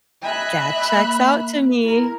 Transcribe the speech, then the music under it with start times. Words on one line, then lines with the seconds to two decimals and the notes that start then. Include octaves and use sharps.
That checks out to me.
0.22 D#5 E5 G#5 B5 F#6
0.90 A#3
1.82 E4 A#4